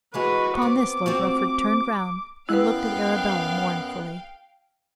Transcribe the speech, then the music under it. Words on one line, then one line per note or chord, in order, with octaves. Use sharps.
Upon this Lord Rufford turned round and looked at Arabella mournfully.
E3 G#3 F#4 G#4 B4
B3 C4 D6
C4 F4 F#4
F#2 B3 E4 B4 F5 G5 F#6